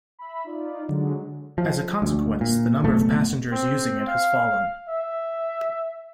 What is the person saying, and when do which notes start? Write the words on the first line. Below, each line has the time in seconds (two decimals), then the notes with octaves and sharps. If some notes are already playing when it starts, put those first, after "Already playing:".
As a consequence, the number of passengers using it has fallen.
0.19 E5 B5
0.44 D#4 F4 D5
0.88 D3 F#3 G#3
1.58 F3
2.02 D2
2.41 A#2
2.84 F#1 B2 A3
3.52 C4
4.07 F5
4.89 E5